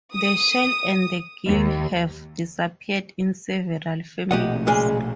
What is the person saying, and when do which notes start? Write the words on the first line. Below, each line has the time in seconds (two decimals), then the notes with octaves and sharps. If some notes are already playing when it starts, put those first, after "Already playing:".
The shell and the gill have disappeared in several families.
0.14 D#6
1.47 D#2
4.31 A#1 B2 A3 G4 D#5 F#5
4.67 A#2 C#3 G#3